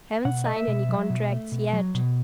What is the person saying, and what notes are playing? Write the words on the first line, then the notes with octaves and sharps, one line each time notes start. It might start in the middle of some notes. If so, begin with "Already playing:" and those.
'Haven't signed any contracts yet.
B2 F#5
A3 D#5
E5
B2
F#3
B2
A3
B2
F#3
B2